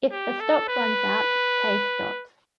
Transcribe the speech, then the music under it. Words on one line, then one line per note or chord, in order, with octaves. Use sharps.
If the stock runs out, play stops.
G4
A4
B4